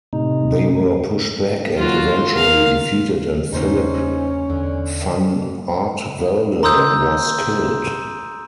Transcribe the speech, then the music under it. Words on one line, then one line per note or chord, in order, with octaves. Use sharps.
They were pushed back and eventually defeated and Philip van Artevelde was killed.
A2 C3 D#4
F#3 F4 F#4
A#4 F5
E2 C#3 A#3 C#4 D#4 C5
E2 D3
A#5 C6 D#6 E6 G6